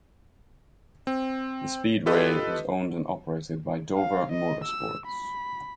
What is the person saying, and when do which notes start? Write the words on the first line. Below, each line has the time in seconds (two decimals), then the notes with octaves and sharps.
The speedway was owned and operated by Dover Motorsports.
1.07 C4
2.06 F4 G4 A4 B4 D#5
3.96 F5
4.32 D#5
4.64 E6
5.06 B5